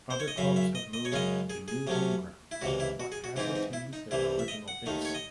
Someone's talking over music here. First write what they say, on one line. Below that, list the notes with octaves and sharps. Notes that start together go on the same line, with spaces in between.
Other clubs have moved to new home grounds but have retained their original base.
C5
C#5
D#5
F#2 C#3 F#3 E5
E5
D#5
D#5
C#5
F#2 C#3 G#3 C#4 D#5
G#4
G#4
C3 F#3 A3 C#4
E4
C#2 C3 E3 F#4
E4
F#4
G#4
F#4
G#2 E3 C4 D#4 E4
D#4
E4
D#4
C2 C3 E3 E4
E5
D#5
F#5
D#2 D#3 A3 D#4
C#5
D#5